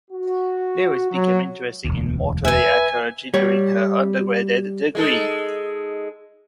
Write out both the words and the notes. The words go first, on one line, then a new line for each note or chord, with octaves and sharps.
Lewis became interested in mortuary archaeology during her undergraduate degree.
F#4
F#3
E1 D2
B4 E5 G#5
G3 C#5
G#3 D#4 A4